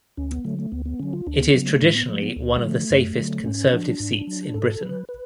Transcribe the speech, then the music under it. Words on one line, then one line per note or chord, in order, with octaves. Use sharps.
It is traditionally one of the safest Conservative seats in Britain.
D2 C#4
B3
D3 F#3 A3
A3
D2 B3
B3
D3 F#3 C#4
F4
D2 D4
B3
C#3 F#3 B3
A3
A2 G#3
B3
F3 A3
B3
D2
G#3
D3 F3 A3
F#2
D3 F#3
G#2 C#4
F3 D4
G#2
F#3
G#2 A4
F#3 B4
B4